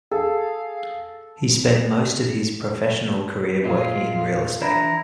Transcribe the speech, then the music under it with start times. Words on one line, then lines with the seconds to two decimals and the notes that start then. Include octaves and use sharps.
He spent most of his professional career working in real estate.
0.11 G#4 A4 F5
3.64 A#2 G#3 F4
4.61 E3 D4 E4 A#5